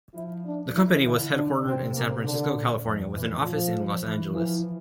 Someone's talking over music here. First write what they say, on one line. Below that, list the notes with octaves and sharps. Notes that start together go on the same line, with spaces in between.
The company was headquartered in San Francisco, California, with an office in Los Angeles.
F3 E4
D4
E3 E4
D3 E4
D4
C3 C4
C3 A#3
D3
A#2
F2
A2 E3
A#2 F3
F3
E3
E3 F3